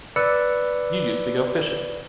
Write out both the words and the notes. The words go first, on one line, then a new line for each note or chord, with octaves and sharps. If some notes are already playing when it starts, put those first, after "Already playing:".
You used to go fishing.
B4 D5 E6 C#7